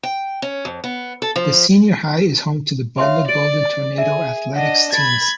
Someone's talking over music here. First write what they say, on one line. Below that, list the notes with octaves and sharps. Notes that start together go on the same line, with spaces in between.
The Senior High is home to the Butler Golden Tornado athletics teams.
G5
C#4
F2
B3
A4
F3
C#5 E5 F5 C6
D5 A6 D7 F#7
G#4 E5
D4 D#5 F#5
B5 G#6 A6